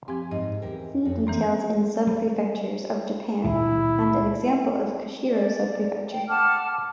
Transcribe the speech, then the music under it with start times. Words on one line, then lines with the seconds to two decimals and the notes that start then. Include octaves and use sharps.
See details in Subprefectures of Japan and an example of Kushiro Subprefecture.
0.08 F3 C4 G4 G#5
0.31 G#2 D#4 D#5
0.62 E2 G4 A#4
1.05 F2
1.27 E3 A#3 C4
2.07 G3
3.44 C#2 A#2 D#3 E4
5.28 D5
6.10 G5
6.28 F#5 A5 D6 F6